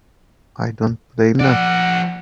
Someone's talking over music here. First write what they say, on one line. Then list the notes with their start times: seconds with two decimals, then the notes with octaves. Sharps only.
I don't blame them.
1.40 F3 D5 F#5